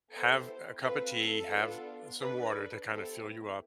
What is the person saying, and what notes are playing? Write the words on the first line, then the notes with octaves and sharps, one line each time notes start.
have a cup of tea, have some water to kinda fill you up,
B3 E4 G4 A4 C5
C4 F4 A4 B4
A4
B3 D4 F4
D4 A4 B4
B3 E4 G4 A4 C5